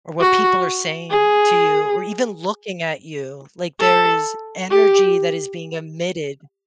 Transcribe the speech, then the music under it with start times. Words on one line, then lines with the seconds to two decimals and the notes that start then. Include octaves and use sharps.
Or what people are saying to you or even looking at you, like, there is energy that is being emitted.
0.20 F#4
1.10 G#4
3.80 A4
4.70 G4